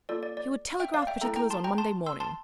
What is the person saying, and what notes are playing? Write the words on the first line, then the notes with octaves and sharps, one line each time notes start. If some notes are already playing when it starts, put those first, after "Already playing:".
He would telegraph particulars on Monday morning.
A#3 F4 A4 D5
D5
D5
E5 G5
D5 F5
E5 G5
A3 E4 A4 G5 A#5
G5 A#5
A5 C6
G5 A#5
A5 C6
C6 E6
A5 C6